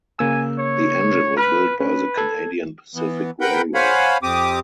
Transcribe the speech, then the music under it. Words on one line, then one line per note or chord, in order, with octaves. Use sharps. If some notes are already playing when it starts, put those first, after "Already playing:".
The engine was built by the Canadian Pacific Railway.
C#3 A#3 G#5 E6
C#5
B4 B5 F6
C#4 B4
A4 G#6
E3 B3
A#4 B4 F#5 G5 B5 G6
C5 C#5 F5 F#5 G#5 B5
F2 C4 G4 D6 D#6